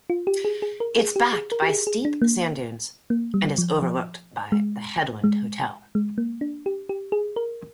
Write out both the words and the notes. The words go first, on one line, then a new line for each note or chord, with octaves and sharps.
It is backed by steep sand dunes and is overlooked by the "Headland Hotel".
F4
G4
G#4
G#4
A#4
G#4
G4
G#4
A#4
G4
G#4
G#4
D4
A#3
A#3
G3
F3
F3
G#3
G#3
G#3
A#3
D4
G4
G4
G#4
A#4